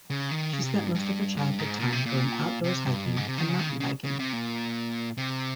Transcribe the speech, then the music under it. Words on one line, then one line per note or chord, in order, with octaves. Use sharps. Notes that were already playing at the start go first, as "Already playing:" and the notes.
She spent most of her childhood time going outdoors hiking and mountain biking.
C#3
D#3
C#3
C3
G#2
G2
G2
G2
G#2
A#2
C3
A#2
C3
G2
F2
G#2
C3
D#3
C#3
D#3
C#3
C#3
C#3
C3
A#2
C3